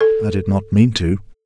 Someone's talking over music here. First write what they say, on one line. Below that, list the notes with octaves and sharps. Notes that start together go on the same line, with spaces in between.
I did not mean to.
A4